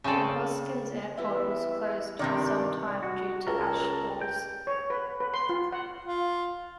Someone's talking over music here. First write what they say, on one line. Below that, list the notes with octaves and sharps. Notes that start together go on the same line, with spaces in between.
The Hoskins airport was closed for some time due to ash falls.
C#3 C4 C#4 A4 D5
E3 G3 B3 E5
G2 C3 D#3 D5
F#4
C#2 A4 A#4
G5
C#5
B4
B4
C6
F4
F#5
F4